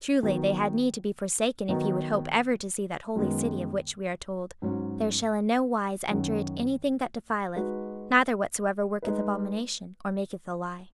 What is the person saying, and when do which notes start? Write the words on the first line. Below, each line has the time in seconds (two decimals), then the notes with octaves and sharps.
Truly they had need to be forsaken if he would hope ever to see that holy city of which we are told "There shall in no wise enter it anything that defileth, neither whatsoever worketh abomination, or maketh a lie."
0.23 D#3 F#3 B3
1.69 D#3 F#3 B3 D#4
3.16 F#2 D#3 G#3 B3
4.62 G#2 F#3 C#4 F#4
6.10 F#2 D#3 F#3 C#4 F#4
7.56 G#3 D#4 F#4 B4
9.02 G#3 D#4 B4